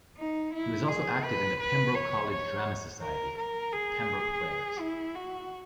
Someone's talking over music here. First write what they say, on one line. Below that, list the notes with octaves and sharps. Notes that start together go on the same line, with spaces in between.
He was also active in the Pembroke College drama society, the Pembroke Players.
D#4
E4
G#4
B4
B4
C#5
C#5
A#4
A#4
G#4
E4
F#4